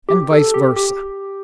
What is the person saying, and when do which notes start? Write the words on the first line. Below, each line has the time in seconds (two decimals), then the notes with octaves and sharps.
And vice versa.
0.09 G4
0.31 A4
0.54 G4
0.76 G4